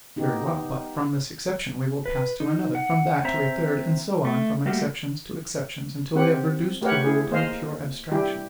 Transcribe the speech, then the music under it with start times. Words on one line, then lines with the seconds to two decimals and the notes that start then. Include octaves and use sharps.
Very well; but from this exception we will pass to another, from that to a third, and so on from exceptions to exceptions, until we have reduced the rule to a pure abstraction.
0.16 B3 D#4 G4
2.06 B4
2.40 D#4
2.75 F#5
3.25 C4 C5 E5 A#5
4.25 A3
4.66 G3 A3 A#3 F#4 G4
6.15 C4 G4 F#5
6.82 A3 G4 A#4 B4 C#5 F#5
7.04 E4 G#4
7.31 A#3 C5 D#5 F5
8.12 G3 E4 G4